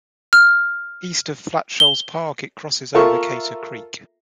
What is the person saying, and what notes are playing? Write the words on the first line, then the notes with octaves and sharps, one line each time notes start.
East of Flat Shoals Park, it crosses over Cater Creek.
F6
G7
F4 A4 A#4 E5 C#6